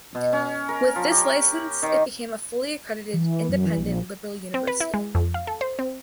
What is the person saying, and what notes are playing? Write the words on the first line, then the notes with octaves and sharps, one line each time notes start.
With this licence it became a fully accredited independent liberal university.
B2
C#4
A#4
F3
G4
D#3
E3
F#2
E3
A#1
C4
B4
E4
G#3
F2
F5
A4
C5
C4